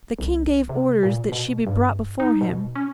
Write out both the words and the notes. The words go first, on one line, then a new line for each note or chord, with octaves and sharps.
The King gave orders that she be brought before him.
C2
C3
A#2
B2
G2
D#4
B2
C#4